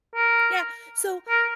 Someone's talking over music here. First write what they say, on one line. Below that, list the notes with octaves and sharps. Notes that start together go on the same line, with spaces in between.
Yeah. So
A#4
A#4